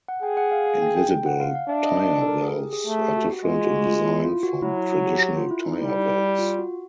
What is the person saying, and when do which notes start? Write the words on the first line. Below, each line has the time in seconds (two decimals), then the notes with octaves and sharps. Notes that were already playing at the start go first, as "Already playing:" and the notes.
Invisible tire valves are different in design from traditional tire valves.
0.08 F#5
0.23 G#4 G5
0.37 F#5
0.52 F5
0.67 F5
0.82 G5
0.97 G5
1.26 F#5
1.40 F5
1.55 F5
1.69 D4 E5
1.85 D#5
1.99 D5
2.21 A4
2.27 A#4
2.42 G#4
2.57 G4
2.73 G#4
2.87 A3
3.01 G4
3.17 F#4
3.31 F#4
3.45 G#3 F4
3.64 F#4
3.85 F4
4.05 E4
4.24 F4
4.43 F#4
4.62 F#3 E4
4.78 E4
4.93 F#4
5.07 G4
5.21 F#4
5.37 F4
5.51 E4
5.66 D#4
5.80 G3 E4
6.39 F4
6.59 F#4